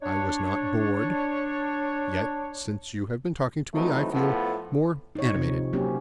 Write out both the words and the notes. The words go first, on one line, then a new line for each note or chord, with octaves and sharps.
"I was not bored; yet since you have been talking to me, I feel more animated."
D4 C#5
E3 F#3 A3 C4 D#4
A2 F3 B3 A4
D#4 C#5
C3 F3
F#3 A#3 C4 C#4 G4